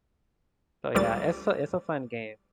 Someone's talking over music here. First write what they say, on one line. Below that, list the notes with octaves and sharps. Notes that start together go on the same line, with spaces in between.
So, yeah, it's a it's a fun game.
D2 F3 G3 D4 A6